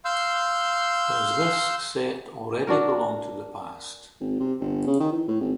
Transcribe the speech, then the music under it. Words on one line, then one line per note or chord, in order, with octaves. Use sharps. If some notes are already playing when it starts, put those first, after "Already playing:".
Does this set already belong to the past?
F5 C6 E6 G6
D4 F#4 A#4
G#1
C3
G1
C#3
D#3
E3
A2
G#1